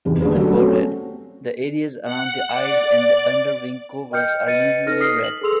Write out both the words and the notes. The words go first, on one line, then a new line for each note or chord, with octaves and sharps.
The forehead, the areas around the eyes and underwing coverts are usually red.
E1 E2 C3 D#3
D3 G3 A#3 G#4 B4
F#3 G3 A3
C4 C#4 F#4 A4
F#5
D5
A#4 D#5 G5 F6 G6 C#7
B4 D#5 A6 C#7 D#7
D#4 A4 B4 C#5 F6 A#6
D#6 F6 B6 C7
F#7
G#4 A4 B4 C6 E6 F7